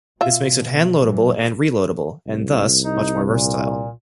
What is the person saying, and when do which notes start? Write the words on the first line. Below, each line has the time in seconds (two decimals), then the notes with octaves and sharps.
This makes it handloadable and reloadable, and thus much more versatile.
0.21 B2 F4 E5
1.00 A#2 E3 F#3
2.27 C2
2.84 D#4
3.23 A#2